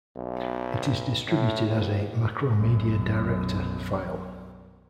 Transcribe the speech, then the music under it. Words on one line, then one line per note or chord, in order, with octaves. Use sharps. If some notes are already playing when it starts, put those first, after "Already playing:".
It is distributed as a Macromedia Director file.
B1
A2
D#2
B1 F#2